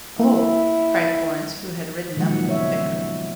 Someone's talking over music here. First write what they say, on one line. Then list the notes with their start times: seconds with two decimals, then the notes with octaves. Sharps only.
"Oh!" cried Florence, who had ridden up with the vicar.
0.19 A#3 E4
2.16 A#2 D#3 F3 F#3 G#3 F#5
2.47 C#3 B3 C#5 E5